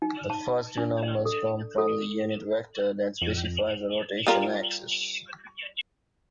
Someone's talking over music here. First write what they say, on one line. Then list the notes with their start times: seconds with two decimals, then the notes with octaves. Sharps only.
The first two numbers come from the unit vector that specifies a rotation axis.
0.02 D#4
0.30 A5
0.78 D4
1.03 D5
1.25 A4
1.78 A4
3.22 F2
4.27 G3 F4 A#4